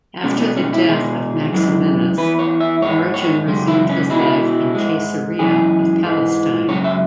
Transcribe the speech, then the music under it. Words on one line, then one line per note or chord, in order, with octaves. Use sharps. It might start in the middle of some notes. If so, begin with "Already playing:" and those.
After the death of Maximinus, Origen resumed his life in Caesarea of Palestine.
B2 G#3 C#4
B3
C#4
E4
B2 G#3 G#4
F#2 E3 G#3
E2 E3 B4
C#5
E5
G#2 G#3 C#5
C#5
F#2 C#3 G#3
E4
C#4
B2 G#3 E4
G#2 G#3
F#2 E3 G#3 G#4
G#2 E3 G#3
F#2 C#3 G#3 C#5
E5